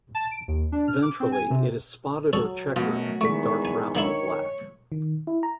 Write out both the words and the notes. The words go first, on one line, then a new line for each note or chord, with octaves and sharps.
Ventrally, it is spotted or checkered with dark brown or black.
A5
D7
D#2
D4
F6
D6
C4
G#5
C3
F#3 G#4 A4 C#5
F#2 B2 F#3 A3 F4 F#4
E2 D#3 G#3 A3 C#6 B6
G#5
D3 D#3 A#3 E4 C#5
D#3
E4
A#5